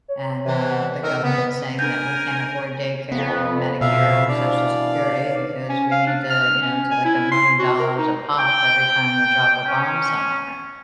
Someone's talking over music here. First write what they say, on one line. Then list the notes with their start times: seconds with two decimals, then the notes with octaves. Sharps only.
and, uh, the government saying that we can't afford daycare and or Medicare and Social Security because we need to, you know, it's like a million dollars a pop every time we drop a bomb somewhere.
0.08 C#5
0.46 C3 E3
0.70 F#5
1.03 D#3 A4 A#4 F6
1.23 C#3 B3
1.38 B4
1.79 D4 A#4 G#5 G6
3.12 F2 B3
3.81 F2 B2 E5 F5
4.29 C2 E3 D4 D5 F5
5.24 D#4 B4 C#5
5.69 C#4
5.91 F5
6.07 D4
6.30 F6
6.62 C#4
6.91 G#5
7.05 E4
7.32 C6
7.59 F#4
7.80 A#4
7.98 D#4
8.38 G5
9.64 C#4